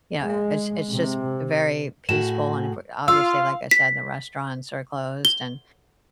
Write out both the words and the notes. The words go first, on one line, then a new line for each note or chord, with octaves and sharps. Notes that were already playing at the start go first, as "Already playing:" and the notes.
you know, it's it's just very peaceful and if we obviously, like I said, the restaurants are closed, and
G#3
C3
A2 F#4 G#4 E7
F4 F5 E6
B6
G7